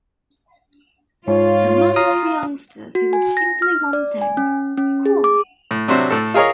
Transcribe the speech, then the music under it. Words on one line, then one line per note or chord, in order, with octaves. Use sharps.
Amongst the youngsters he was simply one thing: cool.
G#2 F4 C#5
F5 A#5 D#6
F#4
G#5
A#6
F6
D5
G#5
C#4
C#4
G#4
D6
A2
C3 F#3 D4 C5 E5
A2 A4
F4 G#4 A#4 C#5 D#5